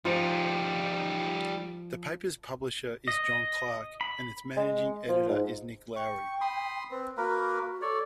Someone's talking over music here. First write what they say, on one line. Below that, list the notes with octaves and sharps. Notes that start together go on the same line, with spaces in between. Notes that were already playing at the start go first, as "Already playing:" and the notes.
The paper's publisher is John Clark, and its managing editor is Nick Lowrey.
F3 G3 D#4 F4
D#5
B5
G#3
F3
G#2
G5 C#6
B5 C6 D#6
C4 B4
A#3 F#4 A#4 B4
A4 C#5 D5